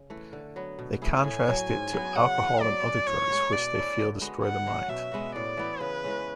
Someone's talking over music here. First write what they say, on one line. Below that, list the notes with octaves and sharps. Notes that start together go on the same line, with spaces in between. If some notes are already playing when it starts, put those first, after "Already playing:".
They contrast it to alcohol and other drugs, which they feel destroy the mind.
Already playing: C#3
E3 A3
D3
F#3 B3
B2
A3 E4 G#4
A2 G#5
F#3 C#4
G#2
F#3 B3
C#3 F#5
E3 B3
F#3 D5
C#4 F#4
A2 C#5
G#3 B3
B2 D5
A3 C#4 E4
D3
G#3 B3 F#4
D3 F#5
F#3 C#4
B2 E5
G#3 B3 F#4
A2 D5
E3 B3 E4
C#3 B4
E3 G#3 C#4